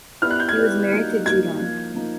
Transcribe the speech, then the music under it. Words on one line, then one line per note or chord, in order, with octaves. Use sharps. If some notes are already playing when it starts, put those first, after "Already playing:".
He was married to Judon.
B3 E4 G4 B4 D5 F6
F#6
G6
G#6
B3 E4 G4 B4 D5
G3 A#3 D#4 F#4
G3 A#3 D#4 F#4 G#6
F3 A#3 D#4
F3 A#3 D#4